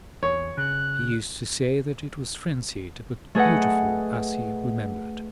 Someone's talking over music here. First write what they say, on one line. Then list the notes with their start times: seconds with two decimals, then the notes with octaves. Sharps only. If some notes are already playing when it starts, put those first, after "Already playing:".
He used to say that it was frenzied but beautiful as he remembered.
0.23 E2 C#5
0.57 C#3 F#6
3.35 A3 G#4 B4 D#5 F#5